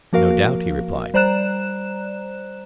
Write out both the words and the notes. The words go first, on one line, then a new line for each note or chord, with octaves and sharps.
No doubt, he replied.
F3 A#3 F#4 A#4 F5
G3 C5 D5 A#5 F#6 E7